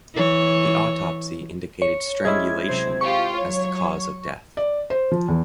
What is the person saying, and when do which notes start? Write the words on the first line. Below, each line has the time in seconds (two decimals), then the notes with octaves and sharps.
The autopsy indicated strangulation as the cause of death.
0.14 E3 C#5
1.82 C#5
2.25 G#3 C#4 E4 G#6
2.68 C3 F#3 C4 C5
3.01 F4 G4 C#6
3.36 F#3 C#5
4.57 D5
4.90 C5
5.12 F3
5.28 E2